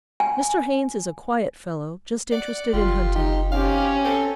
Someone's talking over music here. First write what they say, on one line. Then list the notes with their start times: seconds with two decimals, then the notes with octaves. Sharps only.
Mr. Haynes is a quiet fellow, just interested in hunting.
0.20 G#5
2.32 D5 F#5
2.73 F#1 F4 G4 C6
3.15 D#4 G4
3.52 C4 C#4 G4 F5
4.04 C4 A4